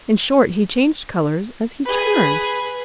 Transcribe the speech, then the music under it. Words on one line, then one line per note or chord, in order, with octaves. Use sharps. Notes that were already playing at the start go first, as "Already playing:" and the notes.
In short he changed color as he turned.
G#4 B4